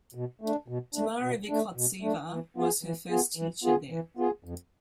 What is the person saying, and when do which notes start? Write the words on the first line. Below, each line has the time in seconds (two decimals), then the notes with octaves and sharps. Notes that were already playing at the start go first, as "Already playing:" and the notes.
Tamara Vykhodtseva was her first teacher there.
0.15 B2
0.41 A3 D4
0.68 B2
0.95 A3 D4
1.22 B2
1.49 A3 D4
1.76 B2
2.02 A3 D4
2.30 E3
2.57 B3 F4 G#4
2.83 E3
3.10 B3 F4 G#4
3.37 E3
3.64 B3 F4 G#4
3.90 E3
4.17 B3 F4 G#4
4.44 F2